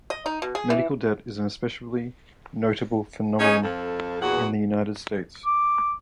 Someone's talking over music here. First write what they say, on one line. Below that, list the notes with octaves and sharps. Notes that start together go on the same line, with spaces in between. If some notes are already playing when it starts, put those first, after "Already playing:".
Medical debt is an especially notable phenomenon in the United States.
D#5
D#4
B2
G#4
E3
C#4 D#4 G#4
F2 F3 A4
E2 A#2 B3 F#4 G#4 F#5
D6